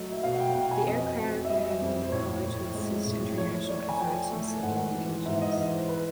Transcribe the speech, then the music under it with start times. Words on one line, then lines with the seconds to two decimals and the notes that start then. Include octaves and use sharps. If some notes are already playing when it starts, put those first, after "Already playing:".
The aircraft have been deployed to assist international efforts on several occasions.
Already playing: F#3 A3 D#5
0.12 E5
0.23 B2 F5
0.34 F#5
0.40 G5
0.55 B2 G5
0.71 G#5
0.87 F2 D#5
1.18 F2
1.45 E5
1.50 G3 D#5
1.81 F2
2.02 C5
2.12 A2 C#5
2.44 A2
2.75 G#3
3.06 A2
3.38 F3 C#5
3.69 A3 D5
3.89 G#5
4.00 F3 G5
4.32 A3
4.63 G#2 F#5
4.94 E3
5.26 G#2 E5
5.41 D#5
5.58 E3
5.73 C5
5.88 B4